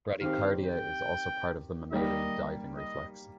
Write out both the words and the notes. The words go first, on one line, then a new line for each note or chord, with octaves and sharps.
Bradycardia is also part of the mammalian diving reflex.
D#3 C4 G4 F5
G5
D#3 G3 A#3 G4 D#5
D#5